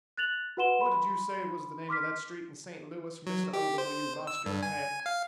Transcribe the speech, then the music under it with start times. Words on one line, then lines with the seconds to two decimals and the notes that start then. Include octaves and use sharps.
What did you say was the name of that street in Saint Louis, Mr. Odom, where you lost your hat?'
0.17 F#6 A6 F7 F#7
0.57 F#4 B4 F#5 C6 E7 G7
0.81 B5 C6
1.89 C6 D6 F6 B6
3.27 F#3
3.53 G4
3.78 C5
4.27 E6
4.46 G2
4.63 G#5
5.06 F5